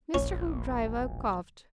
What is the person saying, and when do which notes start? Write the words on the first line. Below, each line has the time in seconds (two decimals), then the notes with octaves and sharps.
Mr. Hoopdriver coughed.
0.14 E1 A#1 C#4